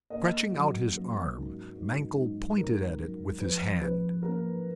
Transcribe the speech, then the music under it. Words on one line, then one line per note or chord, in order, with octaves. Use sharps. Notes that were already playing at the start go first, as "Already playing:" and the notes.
Stretching out his arm, Mankell pointed at it with his hand.
A#3 D#5
F#3
F#3
G#2
G#2
G#2
G#2 A#4
F#3
F3 B4
F3 B4
A#3 A#4